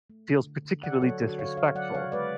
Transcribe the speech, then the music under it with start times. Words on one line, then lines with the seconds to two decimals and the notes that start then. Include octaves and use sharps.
feels particularly disrespectful.
0.10 A3
0.28 D3
0.46 D3
0.65 D3
0.83 D3 D5 F#5
1.01 F#3 A4 C#5
1.20 D3 F#4 A4
1.38 D3 C#5 F5
1.57 D3 C#5 F5
1.75 F#3 D5 F#5
1.94 C#3 C#5 F5
2.12 G#3 B4 D5